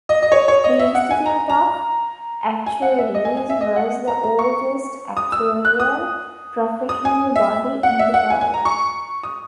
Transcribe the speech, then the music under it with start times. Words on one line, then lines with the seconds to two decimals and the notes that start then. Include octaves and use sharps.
The Institute of Actuaries was the oldest actuarial professional body in the world.
0.09 D#5
0.22 D#5
0.32 C#5
0.48 C#5
0.64 D#5
0.79 E5
0.95 F#5
1.11 G#5
1.26 A#5
1.50 A#5
2.66 G#5
2.82 F#5
2.98 E5
3.14 D#5
3.25 G#5
3.37 G#5
3.50 E5
3.61 D#5
3.76 F#5
4.08 A#5
4.23 A#5
4.39 C#6
5.17 D#6
5.32 E6
5.65 F#6
5.80 D#6
6.89 D#6
7.05 G#5
7.36 E5
7.83 F#5
7.99 E5
8.14 F#5
8.30 G#5
8.41 G#5
8.54 A#5
8.65 C#6
9.23 D#6